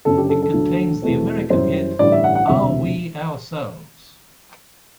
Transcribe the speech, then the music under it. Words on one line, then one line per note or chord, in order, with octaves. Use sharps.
It contains the American hit Are We Ourselves?
F#1 F#2 D3 A4
G4
A4
A4
D2 D3 F#3
E2 B2 A3 C4
F#2 E3 G3 C5
A1 G2 D3 G3 D5
E5
F#5
F#5
E1 D2 C3 E5